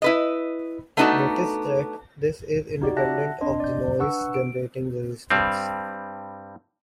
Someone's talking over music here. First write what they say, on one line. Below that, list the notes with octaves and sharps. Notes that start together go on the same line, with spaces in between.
Notice that this is independent of the noise generating resistance.
E4 B4 D#5
A3 B3 D4 D#4 F#4 A4
D#4 F#4 G4 D5
E5 F#5 A5 F#6 A#6
C4 D4 D#5 C6
D5 G6
D4 B4 F#5 C#6 E6
D7
G2 G3 C4